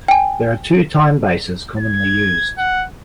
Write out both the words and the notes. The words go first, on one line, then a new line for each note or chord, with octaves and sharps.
There are two time bases commonly used.
G5 G#5
G#6
F#5